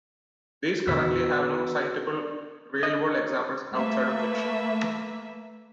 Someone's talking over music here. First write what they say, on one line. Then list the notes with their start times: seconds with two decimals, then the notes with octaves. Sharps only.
These currently have no citable real-world examples outside of fiction.
0.87 E2 A#2 D3 B3 F#4 E6 B6
2.10 D4
2.83 D#5
3.73 A3 A#3 B4 E5